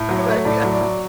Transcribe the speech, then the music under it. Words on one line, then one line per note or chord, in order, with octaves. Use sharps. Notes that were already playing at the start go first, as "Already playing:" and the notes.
you, like yeah.
Already playing: A2
F#3
C#5
A3
A2 D5
F#3
D5
F#3